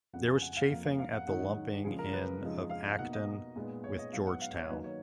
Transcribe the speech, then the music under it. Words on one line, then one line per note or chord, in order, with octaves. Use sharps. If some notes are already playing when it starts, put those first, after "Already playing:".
There was chafing at the lumping in of Acton with Georgetown.
F2 C#3 F3 F#5
G#5
F#5
F5
F2 F3 A#3 F5
F5
F5
F#5
G#2 D#3 F#3 C#4 F#5
C#3 F3 G#3 G#4
A#4
B4
F2 C#3 F3 G#3 D#4
F5
F5
B2 A#3 D#4 F#5
D#5
A#2 G#3 B3 D#4
C#5
D#5
G#2 F#3 B3 F5
F#5
F5
C#5
D#3 F#3 A#3 D#4 B4
C#5